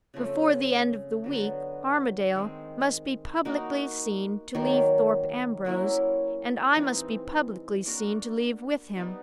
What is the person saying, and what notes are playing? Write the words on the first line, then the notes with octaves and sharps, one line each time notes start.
Before the end of the week Armadale must be publicly seen to leave Thorpe Ambrose; and I must be publicly seen to leave with him.
C#3 F3 A3 C4
D3 F#3 B3
D#3 G#3 C4
A#3 D#4 F#4
D#3 F#3 A#3
F#3 A#3 C#4 E4
E3 G#3 C4 D#4
A#3 D4 F#4 A#4
G3 B3 D#4